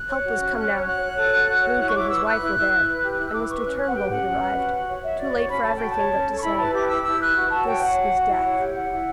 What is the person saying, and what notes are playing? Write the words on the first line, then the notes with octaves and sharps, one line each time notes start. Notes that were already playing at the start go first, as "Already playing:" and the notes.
Help was come now; Luke and his wife were there, and Mr. Turnbull had arrived, too late for everything but to say, "This is death."
Already playing: F#6
C#5
F#4
C#4
C#4
C#5
F#4 F#6
C#5
A4
F#4
F#4
C#5
E4 F#6
C#6
E4 D6
B4 E6
B4 F#6
E4
E4
E4
B4
G4
E4 F#6
E6
E4 D6
B4 C#6
C#4 F#6
B4 F#6
F#5
G4 G5
C#4 F#5
C#4
B4
F#4
F#4
C#5
C#5 E5
F#4 D5
F#4 C#5
C#4 B5
A4 A5
F#4 G5
A5
C#5
C#4
A4
C#6
E4 B5
B4 A5
G4 D6
E4 E6
E4 E6
B4 F#6
F#4
F#4 A5
C#5 G5
C#5 F#5
F#4
F#4
E4
C#5
G4
E4 F#5
E4